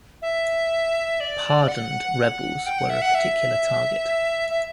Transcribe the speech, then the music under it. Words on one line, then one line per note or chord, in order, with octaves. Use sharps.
"Pardoned" rebels were a particular target.
E5
D5
F#5
G5
F#5
E5
F#5
E5
E5